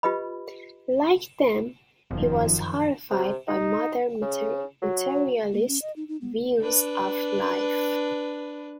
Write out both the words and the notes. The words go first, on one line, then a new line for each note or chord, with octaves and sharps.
Like them, he was horrified by modern materialist views of life.
F4 G4 B4 D#5 B5
E1 F#2 D#3 F3
C3
D#4
C#3
F#3
A#3
C#4
D#5
D#4
D#4
B3
D4 B4